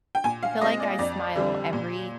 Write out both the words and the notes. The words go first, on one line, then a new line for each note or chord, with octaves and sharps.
I feel like I smile every
G5
A#2 G#5
F5
G#3 C4 D#5
D5
F2 D5
D3 G3 C4
A#2